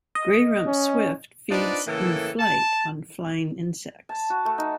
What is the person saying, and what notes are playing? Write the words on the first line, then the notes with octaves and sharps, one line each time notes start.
Grey-rumped swift feeds in flight on flying insects.
D#5
C#4
C4 D4 D#4 F4 B4 D5
A2 C#3 E3 A#3 A4
A5
A5
F#4
A3
D#4